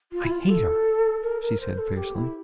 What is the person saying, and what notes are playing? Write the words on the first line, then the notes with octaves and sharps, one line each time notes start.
"I hate her," she said fiercely.
F4
E4
F4
A4
A#4
A#4
C5
A4
G4
E4